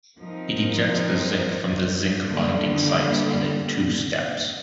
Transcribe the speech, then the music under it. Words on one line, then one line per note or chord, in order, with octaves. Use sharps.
It ejects the zinc from the zinc binding sites in a two steps.
F3 C4 D#4 A#4
D3 G3 A#3